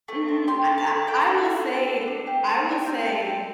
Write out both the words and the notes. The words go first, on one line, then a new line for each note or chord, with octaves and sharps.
Mm, I I I will say I will say
A3
C4
G4 C6
A3
A5
A3
A4 G5
D4
F#5
A4
D4
A4
D4
G4
C4
G4
C4 G5
G4 A5
C4 A5